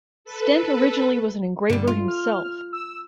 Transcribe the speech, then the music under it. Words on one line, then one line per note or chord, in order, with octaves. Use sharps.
Stent originally was an engraver himself.
A4 B4
G2 D3 G3
F4
F6
E6